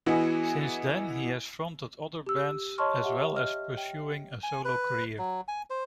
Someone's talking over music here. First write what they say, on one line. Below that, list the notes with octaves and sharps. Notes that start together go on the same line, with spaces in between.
Since then he has fronted other bands, as well as pursuing a solo career.
E3 B3 E4 F#4 G#4 D#5
G4 E6
C#5 D#5 A5 C6 C#6 F6
G4 E5 F#5
D#5 F6
G5
G#5
B4
F#3
G#5
C5